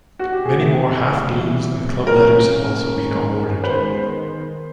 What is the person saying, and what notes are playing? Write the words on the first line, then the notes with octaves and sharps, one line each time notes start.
Many more half blues and club letters have also been awarded.
F#4
G4
C3 E3 A3 G#4
C3 E3 G3
C3 F3 A#3 C#4 A#4
D#3 G#3 C#4
B4
D#3 G#3 B3 C5